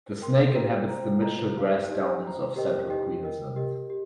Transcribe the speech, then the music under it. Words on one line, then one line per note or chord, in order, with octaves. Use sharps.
The snake inhabits the Mitchell Grass Downs of central Queensland.
A#4 G5 C6
G4 A#4 G5 A#5
C5 G5 A#5
F4 D#5 A#5
D#4 G4 A#4 F5
D#4 G4 D#5
C5 G5 A#5
G4 A#4 D#5 G5
D#4 G4 D#5 G5
A#4 D#5 G5
G4 A#4 D#5
G4